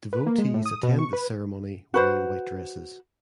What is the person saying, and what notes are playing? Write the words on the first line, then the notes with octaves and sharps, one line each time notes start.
Devotees attend this ceremony wearing white dresses.
B4
A#3
G#3
A2
D#6
B2
C#6
B4
F#4 B4 C5